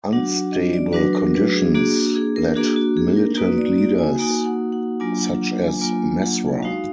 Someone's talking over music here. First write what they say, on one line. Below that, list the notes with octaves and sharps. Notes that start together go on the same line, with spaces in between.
Unstable conditions led militant leaders such as Messra.
F#3 D4 F#4 F#5
F#5
D#5
D5
F#3 D4 F#4 B4
A#4
B4
G#4
A#3 D4 F#4 G#4
F#4
G#4
A#4
A#3 D4 F#4 G#4
F#4
G#4
A#4
A#3 D#4 F#4 B4
D5
D5
G#5
A#3 D#4 F#4 G#5
F#5
F#5
F#3 A#3 D4 F4 G#5
F#5
F#5
G#5
F#3 A#3 D4 F4 G#5
F#5
G#3 D#4 F#4 F5